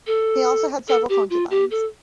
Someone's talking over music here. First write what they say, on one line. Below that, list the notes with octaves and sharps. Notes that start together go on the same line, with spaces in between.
He also had several concubines.
A4
A4
G4
F4
G4
A4